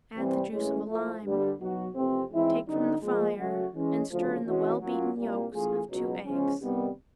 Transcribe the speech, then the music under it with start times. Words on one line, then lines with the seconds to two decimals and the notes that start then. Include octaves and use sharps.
Add the juice of a lime, take from the fire and stir in the well-beaten yolks of two eggs.
0.14 C3 E3 G3 C4
0.51 A2 E3 G#3 C#4
0.87 A2 F3 A3
1.22 G2 D3 G3
1.58 B2 F#3 B3 D#4 F#4
1.94 F2 C3 E3 A3 C4
2.30 G#2 E3 G#3 C4 E4
2.65 F#2 D3 G3 C4 D#4
3.01 A#2 F3 G#3
3.37 C#3 F#3 A3 C#4 F#4
3.73 E3 G#3 C#4
4.09 D2 C#3 F3
4.45 C3 E3 G#3 C#4 F#4
4.81 A2 F#3 A#3 C#4 F4
5.17 C2 A#2 G3 A#3
5.52 E3 A3 C#4 F4 G#4
5.89 C#2 B2 F#3
6.24 E2 C#3 F3 G#3 C#4
6.60 C3 D#3 G3 B3